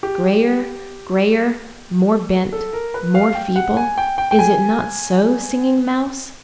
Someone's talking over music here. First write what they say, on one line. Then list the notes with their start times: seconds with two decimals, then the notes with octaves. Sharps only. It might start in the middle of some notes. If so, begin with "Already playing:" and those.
Grayer, grayer, more bent, more feeble--is it not so, Singing Mouse?
0.03 G4
2.53 A4
2.73 A#4
2.94 B4
3.15 F5
3.35 G5
3.56 F#5
3.77 G#5
3.98 G5
4.18 G5
4.31 G5
4.39 G#5